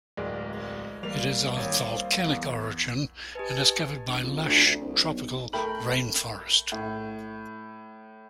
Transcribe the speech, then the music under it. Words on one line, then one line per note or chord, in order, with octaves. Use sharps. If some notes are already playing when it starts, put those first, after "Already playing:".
It is of volcanic origin and is covered by lush tropical rainforest.
D1 G#3 A#4 D5
G3 A#3 F7
G#1 C#5
C5
E2 B3
G4 B4 D#5 G#5 A5
G1
F2
D2
D2
C2
B1
A3 A#4 G5 B5 G6 F#7
A2